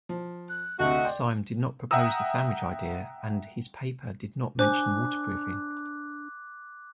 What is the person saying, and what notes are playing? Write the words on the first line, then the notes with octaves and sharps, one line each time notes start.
Syme did not propose the sandwich idea and his paper did not mention waterproofing.
F3
F#6
D2 C3 A3 F#4 D#5
D5 G5 C6
E5 F#5 G5 A#5 D#6 E6
D4 C5 G#5 D6 F#6